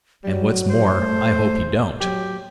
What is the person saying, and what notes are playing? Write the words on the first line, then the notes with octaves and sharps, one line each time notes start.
"And what's more, I hope you don't."
F#3 G3
C5
A3
F#3 G4